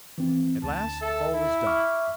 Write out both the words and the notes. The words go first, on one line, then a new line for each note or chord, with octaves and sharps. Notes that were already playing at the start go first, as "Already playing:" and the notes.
At last all was done.
E3 C4
D2 A5
A4 E5
E4
C#6 D6 F6